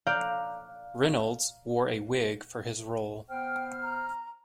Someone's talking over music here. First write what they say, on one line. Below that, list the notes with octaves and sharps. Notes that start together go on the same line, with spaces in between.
Reynolds wore a wig for his role.
D5 F5 A#5 D6 F#6 G6
B3 C5 G5 F6
A#5